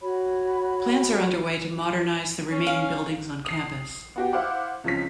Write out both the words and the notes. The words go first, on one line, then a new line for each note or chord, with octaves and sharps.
Plans are underway to modernise the remaining buildings on campus.
F#4 C#5 B5
C#4
F5
D#6 C7
B3 F#4 G4
E4 C5 F5 F#5 D6
C#2 F3 C4 C#4 B6